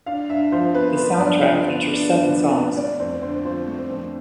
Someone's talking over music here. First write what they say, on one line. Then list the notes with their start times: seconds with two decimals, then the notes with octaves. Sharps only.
The soundtrack features seven songs.
0.06 D4 F5
0.29 G2 E5
0.52 F3 C5
0.74 B3 B4
0.97 D4 B4
1.19 G2 D5
1.42 F3
1.64 B3
1.87 D4
2.09 G2
2.32 F3
2.55 B3
2.77 A3 D5
3.00 F2 C5
3.22 D3 C5
3.45 F3 C5
3.67 A3
3.79 C5
3.90 F2